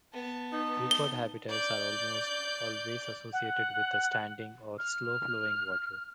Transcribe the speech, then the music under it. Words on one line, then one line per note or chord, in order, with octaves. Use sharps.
Preferred habitats are almost always associated with standing or slow-flowing water.
B3 A5
D#4
G7
D5 G6
F#5
F6